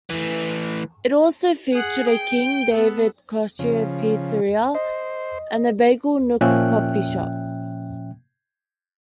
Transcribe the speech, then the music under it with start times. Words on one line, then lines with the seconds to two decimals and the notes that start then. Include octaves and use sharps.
It also featured a King David kosher pizzeria and The Bagel Nook coffee shop.
0.10 A2 E3
1.73 G#4 F#5
2.09 G5
2.74 B3 A4
3.59 C#3 F3
4.75 C5 D#5
6.41 A#2 F3 C#4 E5 G5 F#6